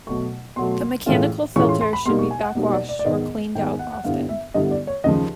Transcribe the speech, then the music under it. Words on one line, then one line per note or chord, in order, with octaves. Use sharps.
The mechanical filter should be backwashed or cleaned out often.
B2 F#3 A3 C#6
B2 F#3 A3 C6
A2 E3 G#3 C#4 F4
A2 E3 G#3 C#4 F4 C#6
C6
C6
B5
B2 G3 A#3 D#4 C6
C#6
G#5
F#5
B2 G3 A#3 D#4
D5
D5
D5
G#2 D#3 G#3 B3 D#5
G#2 D#3 G#3 B3 G5
G#5
F#5
F#5
G2 D3 G3 B3 E4 F5
E5
G2 D3 G3 B3 E4 D#5
D5
C#5
D#2 C#3 F3 D#5